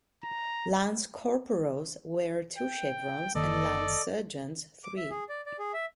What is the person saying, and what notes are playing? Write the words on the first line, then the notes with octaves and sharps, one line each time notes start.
Lance Corporals wear two chevrons and Lance Sergeants three.
A#5
G5
F#1 D#3 A#3 A4 D5 D#5
D6
E5
G#4
D5
D5
G#4
E5